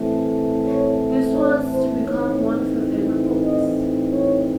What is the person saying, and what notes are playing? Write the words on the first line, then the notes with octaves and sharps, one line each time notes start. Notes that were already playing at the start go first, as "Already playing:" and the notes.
This was to become one of her favorite books.
Already playing: A2 E3 A3 C4
C#5
C#5
C5
A2 E3 C4 D#4 C#5
D#5
C#5